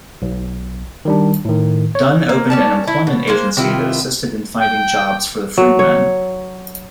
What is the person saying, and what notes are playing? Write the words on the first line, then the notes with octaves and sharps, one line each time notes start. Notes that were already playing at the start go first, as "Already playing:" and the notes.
Dunn opened an employment agency that assisted in finding jobs for the freedmen.
B1
D#3 G3 D4
A2 D#3
C#5
A#3
C#4 D5 A5
E4
B2
G#3 A#3 C5
C3 D#3 E4 F4
G5
F#3
C#5